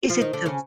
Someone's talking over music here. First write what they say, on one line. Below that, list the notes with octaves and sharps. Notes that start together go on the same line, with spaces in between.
is it the v
F3 F4
D#3 D#4
D3 D4
C#3 C#4